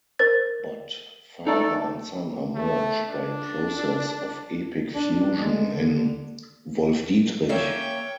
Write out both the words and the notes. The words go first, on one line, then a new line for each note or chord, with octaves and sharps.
But father and son are merged by a process of epic fusion in Wolfdietrich.
A#4 C5 A6
A3 D#4 A4 D5
A3
D4
D4
G#3
D3
A#3 C#4 C#5 E5 G5